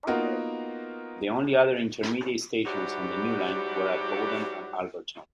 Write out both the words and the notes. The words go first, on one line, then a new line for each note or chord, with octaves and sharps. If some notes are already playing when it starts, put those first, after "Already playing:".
The only other intermediate stations on the new line were at Bowden and Alberton.
A#3 B3 D#4 F4 F#4 A#4
G#2 F#3 G3 E4 F#4 G4